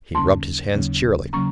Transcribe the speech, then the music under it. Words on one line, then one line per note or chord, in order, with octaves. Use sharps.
He rubbed his hands cheerily.
D#2 C#3 F#3 A#3 C#4 A5 C6
D#2 C#3 F#3 A#3 C#4
C#3 F#3 A#3 C#4 A#5 C#6